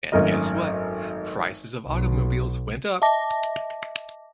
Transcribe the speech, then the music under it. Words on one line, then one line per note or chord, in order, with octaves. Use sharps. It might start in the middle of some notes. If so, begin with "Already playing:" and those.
And guess what, prices of automobiles went up.
G#1 F#2 A3 A#4 D#5
B1
D#5 E5 A5 D6 A#6